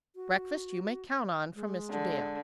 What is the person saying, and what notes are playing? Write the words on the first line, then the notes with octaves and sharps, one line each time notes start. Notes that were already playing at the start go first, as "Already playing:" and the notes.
Breakfast you may count on from Mr. Dale.
F#4
G#3
D3